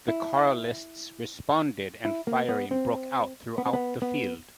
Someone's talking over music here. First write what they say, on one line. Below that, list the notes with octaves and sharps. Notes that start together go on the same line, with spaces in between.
The Carlists responded and firing broke out throughout the field.
E4
E4
A#3
B3
C4
B3
C4
B3
B3